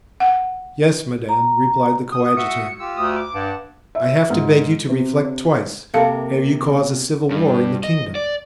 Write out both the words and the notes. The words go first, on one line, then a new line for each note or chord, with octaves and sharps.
"Yes, madame," replied the coadjutor; "I have to beg you to reflect twice ere you cause a civil war in the kingdom."
F#5
A#5
D#6
F#4 E5 D#6 C#7
F4 G4 E6
D2 D#6
D6
G2 F#5 A5
E5
G#2
C3
C3 A#3 A4 A#4 F5 A5
G2
D#5
D5